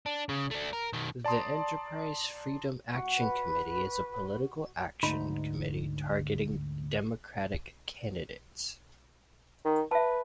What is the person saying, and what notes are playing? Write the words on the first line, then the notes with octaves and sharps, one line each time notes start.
The Enterprise Freedom Action Committee is a political action committee targeting Democratic candidates.
D4
C#3
A3 D4
A#4
B2 D#3
D5 A5 A#5 C6 D#6
F#4
B4
D2 G#2 D#4 B5 C6
D#3
B4 E5 A5